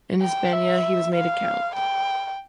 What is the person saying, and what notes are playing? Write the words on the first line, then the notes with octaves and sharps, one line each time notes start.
In Hispania he was made a count.
G5
E5
F5
G5